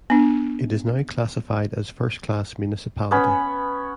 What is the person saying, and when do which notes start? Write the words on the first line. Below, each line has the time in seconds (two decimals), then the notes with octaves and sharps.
It is now classified as first class municipality.
0.10 B3 D4
3.11 B3 C#4 B5